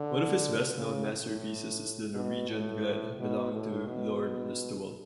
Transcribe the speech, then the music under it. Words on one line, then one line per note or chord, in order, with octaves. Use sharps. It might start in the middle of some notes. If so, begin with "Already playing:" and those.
One of his best-known masterpieces is the Norwegian glen belonging to Lord Listowel.
Already playing: D3
C#3
A2
B2
A2
B2
A2
B2